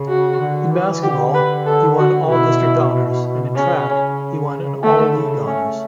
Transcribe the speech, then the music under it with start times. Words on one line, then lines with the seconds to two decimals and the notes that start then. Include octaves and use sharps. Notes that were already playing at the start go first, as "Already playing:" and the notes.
In basketball, he won All-District honors and in track, he won an All-League honors.
Already playing: C#3
0.08 F#4
0.40 D3
0.71 E3
1.03 D3 G4
1.35 B4
1.66 A4
1.98 F#4
2.29 B2 E4
3.56 C#3 C#4
3.88 C#3
4.83 D3 A3
5.15 C#3
5.47 A3 C#4